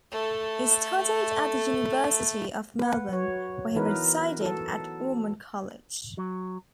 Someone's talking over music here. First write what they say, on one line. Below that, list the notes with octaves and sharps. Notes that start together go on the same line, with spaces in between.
He studied at the University of Melbourne, where he resided at Ormond College.
A3 A4
B4 F#5
F#3 C#5
E3 B3 D#4 E4 A#4 B4
F#4 A4
F#3